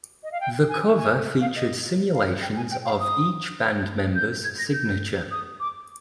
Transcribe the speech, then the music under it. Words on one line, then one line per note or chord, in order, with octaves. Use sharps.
The cover featured simulations of each band member's signature.
D#5
F5
G5
G#5
G#5
F5
D#5
F5
G5
G#5
G5
F5
D#6
G6
G#6
A#6
G6
D#6
D6